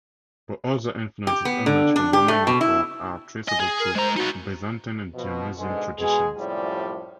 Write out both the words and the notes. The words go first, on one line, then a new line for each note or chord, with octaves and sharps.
But other influences emerge from Romanian folk art traceable through Byzantine and Dionysian traditions.
G4
B3
D3
D4
G4
A3
B2
E4
D#5 G#5
G#4
A#4
G#3 C5 A#5
B3 D#4 F#4
B2 F3
G#2 B2 D3 G#3
B2 G#3 G#4
F#2 A2 C3 F3 G3 D5